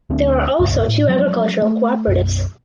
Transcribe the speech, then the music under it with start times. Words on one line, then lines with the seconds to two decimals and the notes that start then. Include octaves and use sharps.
There are also two agricultural cooperatives.
0.10 D2 A3 C4 D4
0.60 D#1 C#2 G2
0.88 A2
1.08 F3 F#3 G#3 C#4
1.62 A3
2.07 B1 F#2